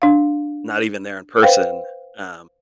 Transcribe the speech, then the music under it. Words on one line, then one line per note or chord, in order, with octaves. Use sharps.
not even there in person, um,
D4 F5
B4 C5 F5 G5